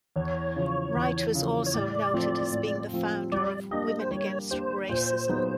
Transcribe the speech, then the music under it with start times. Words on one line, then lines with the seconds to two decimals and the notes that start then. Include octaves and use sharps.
Wright was also noted as being the founder of Women Against Racism.
0.16 E2 C#5
0.56 C#3 F3
0.95 E2
1.35 C#3 F3
1.66 C#5
1.74 A2 D5
2.14 F3 A3 C4 F4
2.53 A2
2.93 F3 A3 C4 F4
3.32 G3 D5
3.71 A#3 D4 G4 D#5
3.99 C5
4.11 G3 C#5
4.51 A#3 D4 G4 C5
4.89 A#2 C5
5.29 F#3 B3 D#4 G#4